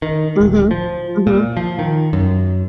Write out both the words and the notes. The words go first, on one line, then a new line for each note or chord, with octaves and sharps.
Mhm, mhm.
D#3
D1
F3
A#2
F3
D#3
F#2